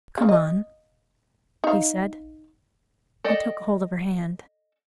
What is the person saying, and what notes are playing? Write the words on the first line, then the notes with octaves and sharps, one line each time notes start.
"Come on," he said and took hold of her hand.
C#3
D#5
D#4 F5
A4 D5 D#5 G5